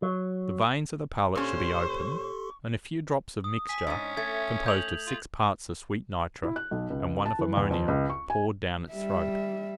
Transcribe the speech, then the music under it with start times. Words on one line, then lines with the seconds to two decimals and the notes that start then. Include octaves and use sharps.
The veins of the palate should be opened, and a few drops of mixture composed of six parts of sweet nitre and one of ammonia, poured down its throat.
0.02 F#3
1.35 A#2 C#4 G4 A4 C5 C6 C#6
3.44 D#6
3.69 G#5 B6
3.87 G#2 C#4 D4 D#5
4.17 A3 G#6
4.66 G6 F7 F#7
5.07 F4
6.43 E4
6.56 F#6
6.71 B1
6.90 C#2
7.26 A5
7.39 E3
7.57 E2
7.71 F2
7.88 C#2
8.10 C#6
8.30 G#5
8.93 G3 E5